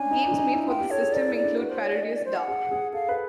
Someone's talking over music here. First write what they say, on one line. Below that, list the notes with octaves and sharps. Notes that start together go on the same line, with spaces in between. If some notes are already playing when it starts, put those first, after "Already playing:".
Games made for this system include Parodius Da!
Already playing: C#4 D4 G#5
D#4
D4
D#4
E4
F4 G5
G4
A4 C#5
G#4
A#4 D5
E4
D5
D4
F#4 B4
C5
C#5
D5
D#5
D5
C5
F#5
G#4
G#4
A4 F5
B4